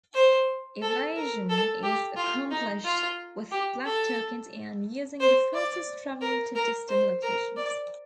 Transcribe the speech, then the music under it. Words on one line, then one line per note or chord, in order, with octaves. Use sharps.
Evasion is accomplished with black tokens and using the fastest travel to distant locations.
C5
A4
A#4
A4
G4
F4
D#4
F4
G4
A4
C5
D5
A#4
A#4
C5
A#4
D5